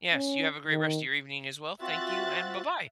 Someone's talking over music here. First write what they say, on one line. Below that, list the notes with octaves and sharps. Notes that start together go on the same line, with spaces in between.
Yes. You have a great rest of your evening as well. Thank you, and buh-bye!
C#4
D#3
C4 F4 F#4 E5 F#6 A6